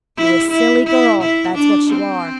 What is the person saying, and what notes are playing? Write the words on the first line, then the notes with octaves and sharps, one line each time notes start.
You're a silly girl, that's what you are!'
E4
E4
E4
E4
D4
C4